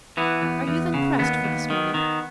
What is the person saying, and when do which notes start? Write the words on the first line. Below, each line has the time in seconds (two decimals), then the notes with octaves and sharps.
"Are you then pressed for this money?"
0.17 E3 B3
0.42 E2
0.68 E2
0.94 C#3
1.19 D#2 B3
1.44 D#2
1.70 D#3
1.94 D#3